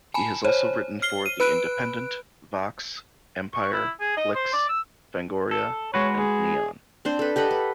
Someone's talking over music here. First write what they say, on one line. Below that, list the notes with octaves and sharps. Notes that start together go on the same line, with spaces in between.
He has also written for "The Independent", "Vox", "Empire", "Flicks", "Fangoria" and "Neon".
G#5 A5 B5
C5 C#5
F6 C7 G7
D#7
B4 B5 F#6 D7
C#6
E4
G#4
D#5
C5
D5
E6
A4
G#3 F#4 B4 C#5
G#4
C4 D4 C5
A4 B4
G4 A4 D#5 F#5
B4